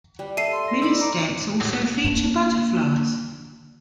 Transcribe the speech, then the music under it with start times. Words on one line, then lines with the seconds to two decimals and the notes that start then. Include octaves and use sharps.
Many stamps also feature butterflies.
0.19 G3
0.37 A4 E5 C7 D#7
0.52 C6
0.68 A#6
0.82 D#4 D5 B5 E6
1.01 A#5 D6
2.04 A#3 D4